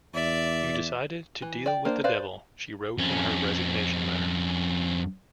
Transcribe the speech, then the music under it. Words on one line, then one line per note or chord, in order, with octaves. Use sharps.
"You decided to deal with the devil", she wrote in her resignation letter.
E2 D5 E5
E3
D5 G5
A#3 D4 C5
B4 C5 D5 F5
F2 C#4